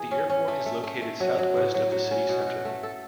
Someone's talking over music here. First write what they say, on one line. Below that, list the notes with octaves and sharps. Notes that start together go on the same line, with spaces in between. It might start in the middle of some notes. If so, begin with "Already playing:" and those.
The airport is located southwest of the city centre.
Already playing: E3 G#4
C#4
C#4
A3
A3
A3
A3
F#3
F#3
A2
F#3
F#3
C#4
B2
F#4
A3
A4